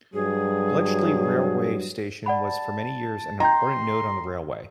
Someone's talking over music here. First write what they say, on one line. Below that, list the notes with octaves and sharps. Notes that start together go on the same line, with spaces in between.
Bletchley railway station was for many years an important node on the railway.
G2 F#3 G#4
D5 F#5 A5 B5
D#5 G5 A#5 C6 G6